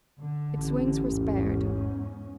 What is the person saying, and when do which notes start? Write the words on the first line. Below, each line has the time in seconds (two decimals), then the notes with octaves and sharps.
Its wings were spared.
0.20 D3
0.56 A1
1.09 E2 G#2 C#4